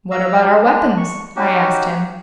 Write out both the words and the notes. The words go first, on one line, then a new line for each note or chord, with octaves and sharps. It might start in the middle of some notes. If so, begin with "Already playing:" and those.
"What about our weapons?" I asked him.
F5 A#5 E6
D4
G#3 D4
C#6
C#4 D#4 F#4 G4